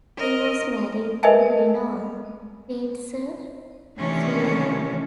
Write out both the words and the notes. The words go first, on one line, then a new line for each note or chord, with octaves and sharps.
He was married to Leonor Kretzer Sullivan.
A#4 D#5
A#4 B4 D#5 E5 G#5 A5
C3 D#3 E3 A3 C#4 D4